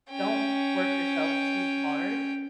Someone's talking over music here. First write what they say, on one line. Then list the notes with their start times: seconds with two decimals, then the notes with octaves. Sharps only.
don't work yourself too hard
0.11 C#4 G5